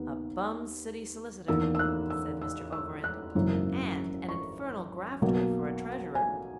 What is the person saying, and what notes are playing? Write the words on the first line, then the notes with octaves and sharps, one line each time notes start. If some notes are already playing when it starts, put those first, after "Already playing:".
"A bum city solicitor," said Mr. Overend, "and an infernal grafter for treasurer."
Already playing: D#2 D#3 B3
E2 D#3 A#3 E6
E6
F#6
E6
E6
E6
F#6
G#1 F#2 C#3 E3 A#3
C#6
B1 B2 A#3
G#5